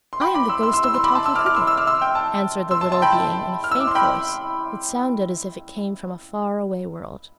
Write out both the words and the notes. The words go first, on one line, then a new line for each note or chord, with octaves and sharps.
"I am the ghost of the Talking Cricket," answered the little being in a faint voice that sounded as if it came from a far-away world.
C6
G5 B5
B5 D6
C6 E6
C6 E6
C6 E6
C6 E6
C6 E6
B5 D6
A5 C6
C6 E6
D6 F6
D6 F6
C6 E6
C6 E6
D6 F6
C6 E6
G5
A5
C6 E6
A5 C6
A5 C6
G5 B5
A5
F6
E6
D6
C6
G5 B5